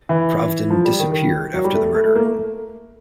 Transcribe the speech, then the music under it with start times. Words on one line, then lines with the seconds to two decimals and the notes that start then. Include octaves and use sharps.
Pravdin disappeared after the murder.
0.09 E3
0.70 F3
0.85 G3
0.99 D#3
1.12 D#3
1.54 F#3
1.64 G3
1.75 A3
1.95 A3
2.05 A3
2.15 A#3
2.25 A3